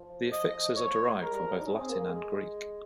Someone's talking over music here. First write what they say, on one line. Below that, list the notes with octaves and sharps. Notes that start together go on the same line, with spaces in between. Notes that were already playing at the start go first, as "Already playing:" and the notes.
The affixes are derived from both Latin and Greek.
Already playing: F3
D#5
C#5
G#3 A#4
G3
F3
G3
D#4
C#4 G#4
C4
A#3
A#3
G#3